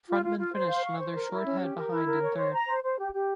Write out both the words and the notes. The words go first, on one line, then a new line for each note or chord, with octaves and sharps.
Frontman finished another short head behind in third.
F4
F4
F4
C5
F5
C#6
C5
A#4
E4
C#4
G4
A#4
E4
A#4
C#5
C5
A#5
C5
C5
G4
G4